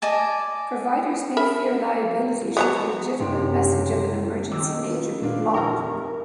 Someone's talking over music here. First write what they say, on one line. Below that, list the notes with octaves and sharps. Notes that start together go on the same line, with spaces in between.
Providers may fear liability should a legitimate message of an emergency nature be blocked.
D5 D#5 G#5 A5
A#4 E5 B5
B3 F#4 F#5 A#5
F#1 C3 C#4 G4
B1 D#3 D6 E6
C#4 F4 B4
A#2 A#3 D4 F4
D#2 E3 D#4 A#4 A#5 C#6
F1